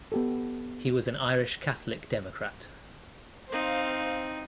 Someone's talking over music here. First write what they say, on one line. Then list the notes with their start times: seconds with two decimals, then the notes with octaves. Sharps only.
He was an Irish Catholic Democrat.
0.12 B3 G4 A4
3.52 C4 D#4 C5 F5